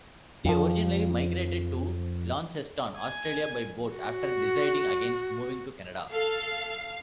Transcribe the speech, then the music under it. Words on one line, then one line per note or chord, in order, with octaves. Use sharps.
They originally migrated to Launceston, Australia by boat, after deciding against moving to Canada.
F2 F3
G#5
F#4
A4 F5